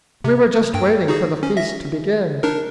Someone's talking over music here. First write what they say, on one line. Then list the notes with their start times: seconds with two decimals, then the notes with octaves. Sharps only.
We were just waiting for the feast to begin.
0.24 C3
0.74 G2 G5
1.08 D#4 F#4 G#4
1.43 C#4
1.57 E5 A#6
2.43 D4 D#4 A#4